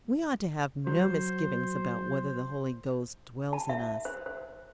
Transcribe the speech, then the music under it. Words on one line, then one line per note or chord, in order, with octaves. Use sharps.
We ought to have no misgivings about whether the Holy Ghost dwells in us.
F#3 C5
A5
E5
C5
C5